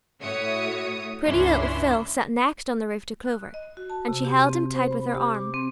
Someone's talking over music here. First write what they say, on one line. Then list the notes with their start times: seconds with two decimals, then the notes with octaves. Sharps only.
Pretty little Phil sat next on the roof to Clover, and she held him tight with her arm.
0.21 A2 F#4 C#5 E5 D#6 C#7
1.24 C#2 G2 C#4 D4 E4 C6
3.25 F#6
3.54 D#5
3.77 F#4
3.90 A5
4.08 C3
4.25 G4
4.47 C4
4.74 C5
4.91 B5
5.15 G4
5.35 D6
5.54 C4